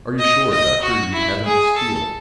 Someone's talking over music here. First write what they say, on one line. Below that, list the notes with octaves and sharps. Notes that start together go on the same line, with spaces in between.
"Are you sure, Doctor, you haven't the steel?"
D#5
D#5
F#4
E4
G#4
A4